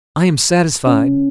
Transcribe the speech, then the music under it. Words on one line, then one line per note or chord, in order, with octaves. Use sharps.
"I am satisfied."
C#3